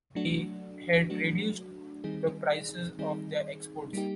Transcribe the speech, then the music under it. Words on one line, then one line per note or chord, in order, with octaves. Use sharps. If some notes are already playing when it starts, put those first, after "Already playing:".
They had reduced the prices of their exports.
F#3 A3 D4 F#4
F#3 A3 D4 F#4
D#3 G3 C4 D#4 G#4
D#3 G3 C4 D#4 G#4
G3 A#3 D#4 G4